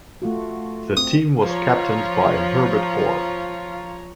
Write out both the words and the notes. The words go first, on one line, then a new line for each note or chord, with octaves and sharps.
The team was captained by Herbert Orr.
A3 F4 F#4
C4 D#6
F3 F4 C#5 A#5